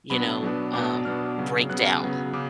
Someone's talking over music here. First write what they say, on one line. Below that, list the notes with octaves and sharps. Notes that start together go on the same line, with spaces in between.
you know, um, breakdown,
B2 F#3 B3 D4 B5
B2 F#3 B3 D4
B2 F#3 B3 D4 D6
B2 F#3 B3 D4 F6
C#3 F#3 B3
C#3 F#3 B3 F#6
F6
C#3 F#3 B3
C#3 D6